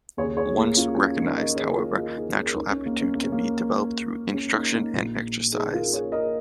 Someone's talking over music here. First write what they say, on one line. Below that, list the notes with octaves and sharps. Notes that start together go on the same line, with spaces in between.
Once recognized, however, natural aptitude can be developed through instruction and exercise.
D#2 C#3 G#4 C#5
G#4 C#5
A#3
C#4 F4
C#4 F4
A#3 D#4
A#4 D#5
G#4 C#5
G#4
F4 A#4
F4 A#4
D#4 G#4
A#4
C#2 C#3 D#4 G#4
C#4
A#3
C#4
A#3
C#4
A#3
C#4
A#3 D#4
A#3 D#4
A#1 A#2
D#4 G#4
F4 A#4
G#4 C#5
A#4 D#5